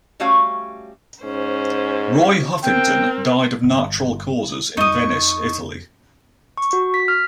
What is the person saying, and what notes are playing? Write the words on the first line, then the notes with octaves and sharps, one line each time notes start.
Roy Huffington died of natural causes in Venice, Italy.
G3 A3 C#4 F#4 C#5 F5
G#2 C#4 C5
C4 A#4 G5
G1
F2 D#4 C#6 D#6
C#6
F#4
B6
F6